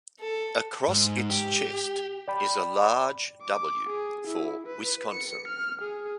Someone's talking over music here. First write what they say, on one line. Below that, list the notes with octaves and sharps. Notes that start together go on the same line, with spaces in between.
Across its chest is a large W, for Wisconsin.
A4
G#2
G4
D5 G5 B5
D6
G#4
E4
B4
C#7
F6
G#4